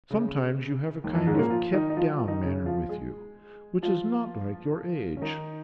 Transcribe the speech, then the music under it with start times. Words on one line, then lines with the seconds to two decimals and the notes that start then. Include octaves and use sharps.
Sometimes you have a kind of kept-down manner with you, which is not like your age.
0.10 C#3
1.04 D#2 D#3
1.15 F2 F3
1.27 G#2 G#3
1.34 C#4
1.38 A#2 A#3
1.50 F3 F4
1.73 D#3 D#4
1.90 D#4
1.97 F3 F4
2.11 F3 F4
2.27 D#3 D#4
2.43 C#3 C#4
2.66 F3 F4
2.89 G#3 G#4
3.82 F3 F4
5.17 C#4
5.22 D#3 D#4